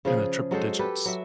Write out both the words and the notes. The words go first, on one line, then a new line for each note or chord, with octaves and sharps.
in the triple digits,
C#3 F3 G#4
F#3 G#3 A4 C5
G4 A4 B4
F#3 E5